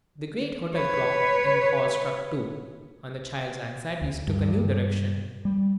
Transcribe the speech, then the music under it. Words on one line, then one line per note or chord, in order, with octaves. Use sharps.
The great hotel clock in the hall struck two, and the child's anxieties took a new direction.
B4 C#5
D2
G2
G3